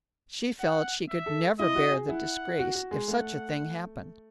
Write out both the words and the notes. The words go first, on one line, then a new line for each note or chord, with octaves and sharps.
She felt she could never bear the disgrace, if such a thing happened.
F#5
E5
A4
E4 D#5
F#4
G#4
E4 F#5
F#4
F#4
G#3
A3 F#5